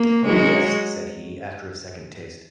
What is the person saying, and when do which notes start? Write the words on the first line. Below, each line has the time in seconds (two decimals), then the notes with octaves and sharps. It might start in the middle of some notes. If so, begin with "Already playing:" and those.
Oh, yes!’ said he, after a second taste.
Already playing: A#3
0.26 F#3 G#3